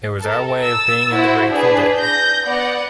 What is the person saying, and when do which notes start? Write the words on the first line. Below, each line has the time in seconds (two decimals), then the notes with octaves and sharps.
It was our way of being in The Grateful Dead.
0.23 A4 A#4
0.63 E6 A6
1.14 E4 F#4 C5
1.50 D4 G#4 B4
1.98 G6 A#6
2.45 B3 D5 F#5